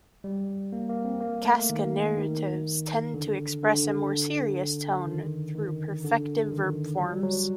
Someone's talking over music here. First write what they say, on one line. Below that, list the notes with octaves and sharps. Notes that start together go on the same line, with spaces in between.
Kaska narratives tend to express a more serious tone through perfective verb forms.
G3
A#3
A#3
C4
A#3
A3
D#3
D#3
D3
D3
D#3
D#3
D3
D#3
F#3
G3
F#3